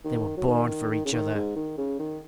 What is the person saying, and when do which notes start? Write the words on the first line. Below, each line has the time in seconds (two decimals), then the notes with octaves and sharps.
They were born for each other.
0.05 D#3
0.37 F#3
0.48 D#3
0.91 D#3
1.05 C#3
1.13 D#3
1.35 G#2
1.56 D#3
1.78 C#3
1.99 D#3